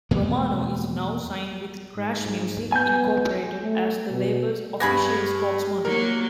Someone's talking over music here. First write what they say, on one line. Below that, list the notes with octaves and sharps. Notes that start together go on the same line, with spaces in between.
Romano is now signed with Crash Music, Incorporated as the label's official spokesmodel.
E2 B2 G#3 A#3
G#2
B3 G#5 G6
A3
B2
G2 B3 G4 G#4 B5 G#6 A#6
F#3 A#3 A#4